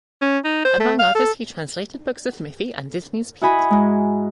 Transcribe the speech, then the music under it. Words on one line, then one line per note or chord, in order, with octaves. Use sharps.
Among others he translated books of Miffy and Disney’s Pete.
C#4
D#4
C5
A3
F5
A4
E4 F#4 D#5 G#5 B5
G#2 G#3